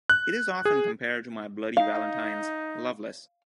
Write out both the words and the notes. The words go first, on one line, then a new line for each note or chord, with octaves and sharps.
It is often compared to My Bloody Valentine's "Loveless".
F#6
G#4
D#4 F5